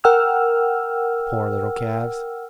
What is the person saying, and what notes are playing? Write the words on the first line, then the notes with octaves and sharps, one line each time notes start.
Poor little calves!
A#4 F#5 G5 E6 F6